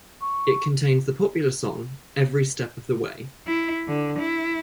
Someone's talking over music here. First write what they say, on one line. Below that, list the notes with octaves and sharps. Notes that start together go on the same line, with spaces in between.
It contains the popular song "Every Step of the Way".
C#6
E4
D3
E4